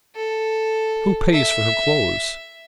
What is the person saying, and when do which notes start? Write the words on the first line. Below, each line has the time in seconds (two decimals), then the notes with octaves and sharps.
Who pays for her clothes?
0.15 A4
1.33 E5